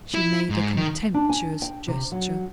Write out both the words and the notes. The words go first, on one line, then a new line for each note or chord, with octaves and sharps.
She made a contemptuous gesture.
E4
G#2
D#3
D4
G#5
G5
C3
F#3